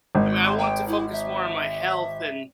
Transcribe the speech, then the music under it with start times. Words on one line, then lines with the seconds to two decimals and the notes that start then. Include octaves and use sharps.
I mean, I want to focus more on my health and
0.15 G#1
0.45 C6
0.59 G5
0.88 E4
1.12 E5